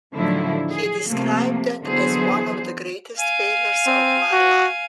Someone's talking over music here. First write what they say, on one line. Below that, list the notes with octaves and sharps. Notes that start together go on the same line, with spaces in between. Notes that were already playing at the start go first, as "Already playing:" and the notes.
He described that as one of the greatest failures of my life...
A2 D3 D#3 F3 F#3 E4
G#4
C3 F3 A3 A#3
D3 E3 F#3 B3 G#4 C5
F5 G#5
C4
F#4